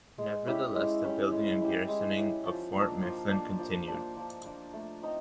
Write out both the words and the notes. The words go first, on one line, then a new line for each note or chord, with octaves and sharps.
Nevertheless, the building and garrisoning of Fort Mifflin continued.
G#3
C#4 E4 G4
G#3
C#4 E4 G4
G#3
C#4 E4 G4
G#3
C#4 E4 G4
F3
A#3 D4
F3
A#3 D4
F3
A#3 D4
F3
A#3 D4
A3
C4 D#4